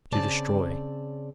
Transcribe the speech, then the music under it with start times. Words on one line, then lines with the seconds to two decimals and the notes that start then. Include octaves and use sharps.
To destroy.
0.13 C#3 C4 D5 A5